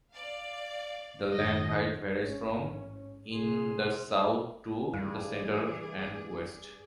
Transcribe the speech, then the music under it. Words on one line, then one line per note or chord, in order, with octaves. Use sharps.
The land height varies from in the south to in the centre and west.
D5 F5
F#2 D#3 D#5
A1 G#2 C#4
C3 G#4 C6
G2 E3 G3 G#4 D5